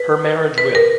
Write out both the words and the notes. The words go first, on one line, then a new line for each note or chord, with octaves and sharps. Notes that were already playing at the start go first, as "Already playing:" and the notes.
Her marriage with.
Already playing: B4
B4
A#4